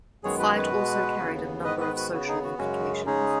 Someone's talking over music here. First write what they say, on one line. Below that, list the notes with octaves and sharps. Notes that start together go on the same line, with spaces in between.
The fight also carried a number of social implications.
F#2 D#3 G#3 B3 G#4 C#5
F#4 B4
F#4 B4
B2 G#3 B3
D#2 C#3 B3
G#2 D#3 B3 B4 D#5
B4 D#5
F#4 B4
C#3 B3 F#4
D#4 G#4
F#4
F#2 C#3 G#3 C#4 F#4
C#3 G#3 C#4 D#4 G#4